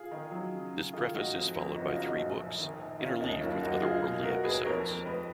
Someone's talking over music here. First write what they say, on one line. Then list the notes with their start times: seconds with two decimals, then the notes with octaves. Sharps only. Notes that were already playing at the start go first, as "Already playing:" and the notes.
This preface is followed by three books, interleaved with otherworldly episodes.
Already playing: F4 G#4
0.11 D#3
0.31 F#3
0.53 C#3
0.73 C#3
0.93 D#3 F4 G#4
1.14 G#2 D#4 F#4
1.35 F2
1.55 F2
1.75 F#1 D#4 F#4
1.86 C#4 F4
1.96 F#1 D#4 F#4
2.06 D#4 F#4
2.18 A#1 D#4
2.39 A#1
2.58 D#3
2.79 A#1
2.99 D#3 C#4 F4
3.20 D#2 D#4
3.41 F#2 C#4 F4
3.61 F#2 D#4 F#4
3.82 G#3 F4 G#4
4.03 B2
4.23 G#3 F#4 A#4
4.44 D#2 G#4 B4
4.65 F2 A#4 C#5
4.86 F2
5.06 G#3 B4 D#5